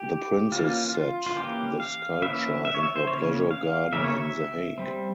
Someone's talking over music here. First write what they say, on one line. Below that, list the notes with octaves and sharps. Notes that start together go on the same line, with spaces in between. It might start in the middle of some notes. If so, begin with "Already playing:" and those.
The princess set the sculpture in her pleasure garden in The Hague.
Already playing: G4
E3 A#3 C#4 F4
F4
F4
E3 A#3 C#4 G4
F5
E3 A#3 C#4 E5
E5
C#5
E5
C5
C#3 E3 A#3 C#4 C#5
F5
C#3 E3 A#3 C#4 E5
C#5
E5
G3 C4